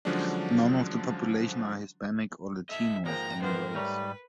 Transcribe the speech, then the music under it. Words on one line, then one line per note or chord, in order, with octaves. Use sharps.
None of the population are Hispanic or Latino of any race.
D3 F3 F#3 G#3 C#4 D4
E4 A4 D#5 E5
G#2 F3 G#3 A#3 G5 A#5
E3 F3 B3 A#4 C5
G3 A3 B4 C#5 A#5